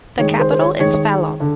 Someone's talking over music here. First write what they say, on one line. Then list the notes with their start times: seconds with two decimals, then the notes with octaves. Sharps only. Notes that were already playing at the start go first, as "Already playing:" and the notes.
The capital is Phalombe.
0.18 D#3 G#3 C#5
0.39 C5
0.52 C5
0.60 C#5
0.79 D#3 G#3 C#5
1.40 D3